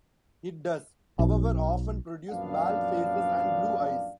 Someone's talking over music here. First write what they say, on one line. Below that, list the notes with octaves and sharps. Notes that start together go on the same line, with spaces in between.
It does, however, often produce bald faces and blue eyes.
B1
A#1 F#2 B3 D4 D5 F5